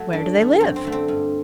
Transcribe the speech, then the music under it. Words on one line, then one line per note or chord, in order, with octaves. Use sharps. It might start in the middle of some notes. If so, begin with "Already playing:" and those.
"Where do they live?"
Already playing: F#3 A3
F#2 D4
D3 A3
F#2 C4
C4
D3 A3
C4
G2